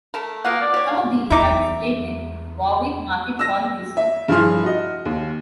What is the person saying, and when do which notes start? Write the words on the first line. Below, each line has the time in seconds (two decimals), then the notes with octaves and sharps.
Some of these are displayed in Warwick Market Hall Museum.
0.14 A3 A4 A#4
0.45 B2 A#3 F4 F#5
0.61 D5
0.74 G4 C#5
0.88 F5
1.30 E2 D#4 E4 E5 A#5 D6
3.39 E6 A#6
3.97 E5
4.28 G2 F3 E4 G#4 C6 F6
4.64 F#4 D#5
5.05 D#2